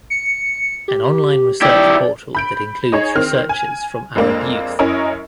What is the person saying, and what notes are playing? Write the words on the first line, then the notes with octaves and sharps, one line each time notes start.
An online research portal that includes researches from Arab youth.
C#7
G4
E4 G4 D5
B5 G6 D7
D#4 G#4 C#5
D#3 C4 F6
G#5
F2 G#3 A#3 D4
F#2 C#4 E4 A#4 D#5